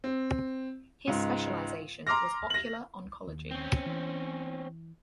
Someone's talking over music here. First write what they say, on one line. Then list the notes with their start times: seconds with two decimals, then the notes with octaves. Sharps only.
His specialization was ocular oncology.
0.04 C4
1.07 C#2 G#2
2.07 A#5 C6 D6 F6 A#6
2.50 A#6 F#7
3.27 D#2
3.51 C4 C#4
3.86 E3